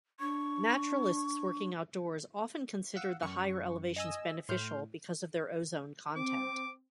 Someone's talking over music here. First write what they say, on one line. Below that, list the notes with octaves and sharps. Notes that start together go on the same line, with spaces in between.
Naturalists working outdoors often considered the higher elevations beneficial because of their ozone content.
D4 C#6
F5 F#5 E6
F#2 C#6
D#5 G#5 E6
A2 C6 F6 G6
C4 D6